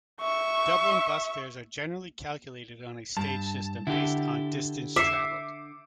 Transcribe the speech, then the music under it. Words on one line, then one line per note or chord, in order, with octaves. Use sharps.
Dublin Bus fares are generally calculated on a stage system based on distance travelled.
E5 C#6
G2 A5
D3 E4 G4
E5 D6 C7 C#7